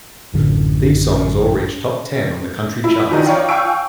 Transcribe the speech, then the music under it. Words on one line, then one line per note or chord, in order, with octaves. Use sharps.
These songs all reached Top Ten on the country charts.
A1 F#2 D3
E4
D#3 E3 F#3 D4 D#4
D#4 C#5 D5 F5 G5
F5 G5 G#5 C#6 E6 D7